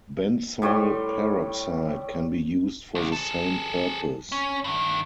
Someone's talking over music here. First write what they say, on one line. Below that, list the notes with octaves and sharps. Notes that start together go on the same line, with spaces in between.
Benzoyl peroxide can be used for the same purpose.
A2 G3 C#5 C6
C2
G#4 A4
C#4
G2 D#3